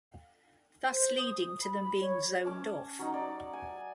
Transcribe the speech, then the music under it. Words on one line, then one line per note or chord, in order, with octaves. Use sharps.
Thus leading to them being zoned off.
C5
D#6
B5
C#5
C#4 A5 D6
F#3 C#4 D#4
D5
G#5